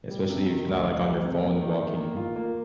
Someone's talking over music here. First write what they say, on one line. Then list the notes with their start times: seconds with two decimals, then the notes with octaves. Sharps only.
Especially if you're not, like, on your phone and walking,
0.11 G3
0.29 C3
0.49 D#3
0.67 D2
0.86 D2
1.05 G3
1.23 C3
1.42 A#3
1.61 D#3
1.80 D#3
1.98 A#3
2.17 F4
2.36 A#3